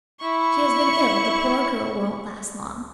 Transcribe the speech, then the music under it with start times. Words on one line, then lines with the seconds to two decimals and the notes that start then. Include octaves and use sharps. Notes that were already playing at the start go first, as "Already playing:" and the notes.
"She has been ill; the poor girl won't last long."
0.20 E4 C#6